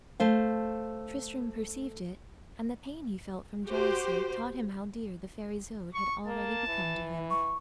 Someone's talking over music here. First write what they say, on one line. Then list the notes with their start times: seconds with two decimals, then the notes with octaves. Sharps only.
Tristram perceived it, and the pain he felt from jealousy taught him how dear the fair Isoude had already become to him.
0.20 A3 C5 F5
3.65 F#4 G4 C5
5.94 C#6
6.27 A#3 A5
6.67 E3
7.30 C#6